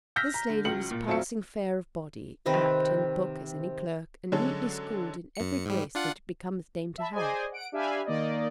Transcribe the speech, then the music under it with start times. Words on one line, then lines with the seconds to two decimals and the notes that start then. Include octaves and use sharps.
This lady was passing fair of body, apt in book as any clerk, and meetly schooled in every grace that it becometh dame to have.
0.16 E6 F6 G6 A#6 B6
0.34 A#5
0.50 D3
0.65 C#2 F#3 C#7 F#7
0.91 A#2
1.07 E1 F#3 C4 F4 E5 C#7
2.46 C3 D#3 C4 B4
4.32 D3 F#3 G#3 C#4 A4
5.35 F#2 C#7
5.65 G#2 G3
5.95 D4 F4 F#5
6.98 E5 A5 B5
7.13 G#4 C5 D5 D#5 G#5
7.52 F#5 D7
7.72 D4 G4 E5 F5 G#5 B5
8.05 D#3 A#3 D5 D#5